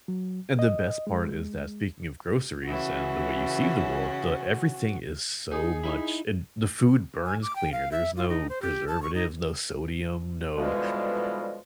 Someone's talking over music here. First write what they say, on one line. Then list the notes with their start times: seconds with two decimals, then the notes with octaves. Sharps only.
and the best part is that- speaking of groceries and the way you see the world- the everything is so much and the food burns cleaner. There's no preservatives, no sodium, no
0.08 F#3
0.59 D#5
1.07 G#3
2.67 C#3 E3 C#4 F#4
5.51 D#4 G#4
5.83 D#4 E4
7.25 G#5
7.42 D6
7.55 G5
7.72 F5
7.91 E5
8.17 F4
8.29 D#4
8.49 C5
8.62 G4
8.88 A5
9.02 C#6
9.14 D#4
10.57 B2 D3 E3 F3 G3 G#3